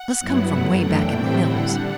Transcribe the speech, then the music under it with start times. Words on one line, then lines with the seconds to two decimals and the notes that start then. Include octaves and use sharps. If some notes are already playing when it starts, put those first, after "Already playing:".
"Must come from way back in the hills."
Already playing: F#5
0.20 G2 F#3 B3 E4
0.51 F#2 F#3 A3
0.83 F#2 E3 A3 D4 G5
1.14 A2 G3 C4 E4
1.45 D3 G3 D4 F#5